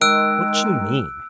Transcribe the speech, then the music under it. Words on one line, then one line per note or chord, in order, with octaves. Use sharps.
"What you mean?"
D#3 G#3 E6 F#6 D7